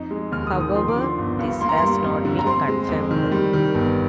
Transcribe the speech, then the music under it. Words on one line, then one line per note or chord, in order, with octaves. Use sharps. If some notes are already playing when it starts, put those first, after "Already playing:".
However, this has not been confirmed.
Already playing: F2 D#4
G#3
D#2 F6
D#6
D#3
D#6
F3 C6
D6
D3
C6
G1
G2
A#3 C6
A#5
G3 C6
F2
D3
A#5
C4 C6
G#3
F2
D#3
G3
D#3
G1